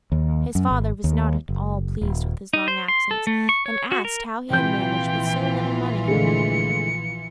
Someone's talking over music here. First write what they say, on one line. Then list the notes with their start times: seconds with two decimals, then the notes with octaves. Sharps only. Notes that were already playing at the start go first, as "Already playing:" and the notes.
His father was not at all pleased with his long absence, and asked how he had managed with so little money.
0.12 D#2
0.55 F#2
0.71 G#1
1.04 D#2
1.49 F#1
2.01 D#1
2.54 D#4
2.68 C5
2.88 C6
3.11 A4
3.27 A3
3.49 C#6
3.66 C#5
3.92 F#4
4.05 A#4
4.50 A#1 C3 E3 F4 G5 G6
6.08 D3 G#3 A3 C#7